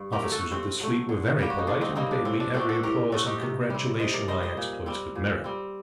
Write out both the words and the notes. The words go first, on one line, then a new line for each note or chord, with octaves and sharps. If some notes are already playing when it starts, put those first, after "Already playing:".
The officers of this fleet were very polite, and paid me every applause and congratulation my exploits could merit.
Already playing: G2
G4 A#4
F#3 A3
F#4 A4
G2 C4
F#3 A3
D3
G3 A#3 G4
F#4
D#4
D3 D4
C4 D#4
G3 A#3 C4 D#4
D4
A2 C4
D4
A3 C4 D4 F#4
F#4 A4
A2 G4 A#4
A3 C4 F#4 A4
D#4 G4
C3
G3 C4
C3 C5 D#5
A#4 D5
G3 C4 C5 D#5
C5 D#5
A#2
G3 C4
A#2
G3 C4